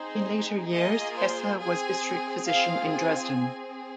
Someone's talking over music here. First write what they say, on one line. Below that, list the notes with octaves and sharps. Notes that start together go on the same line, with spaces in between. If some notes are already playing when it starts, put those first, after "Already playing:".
In later years, Hesse was district physician in Dresden.
Already playing: C4 D#4 G#4 C5
A#3 F4 G#4 D#5
C5
C4 G#4 G#5
C4 F4 G#4 F5
G#5
C4 G#4